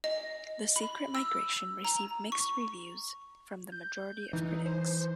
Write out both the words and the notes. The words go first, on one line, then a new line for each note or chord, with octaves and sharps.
"The Secret Migration" received mixed reviews from the majority of critics.
D#5
B5
E6
A#5
C#6
G6
E3 D#4
C5